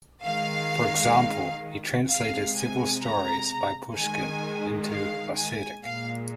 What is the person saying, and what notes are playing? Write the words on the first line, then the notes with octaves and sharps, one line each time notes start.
For example, he translated several stories by Pushkin into Ossetic.
D#3 G#3 F5
C3 G#3 F5
G#5
A#5
D#3 G#3 G#5
F5
G#5
A#2 G#3 F5